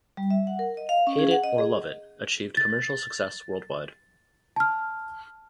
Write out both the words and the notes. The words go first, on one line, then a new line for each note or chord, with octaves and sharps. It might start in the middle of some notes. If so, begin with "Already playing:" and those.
"Hate It or Love It" achieved commercial success worldwide.
G3
E5
F#5
A#4
D#5
F5
C#4
G#4
F#5
D#5
G#4
A6
A5 F6